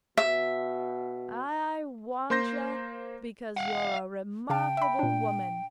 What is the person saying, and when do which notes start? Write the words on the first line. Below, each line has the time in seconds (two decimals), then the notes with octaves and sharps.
I want yah because you're a remarkable woman.
0.17 B2 E5
2.30 A#3 C5 C6 G6 A#6
3.57 F5 F#5
4.50 C#3 F5 G5 A5
4.77 E5 B5
4.99 A#2 D4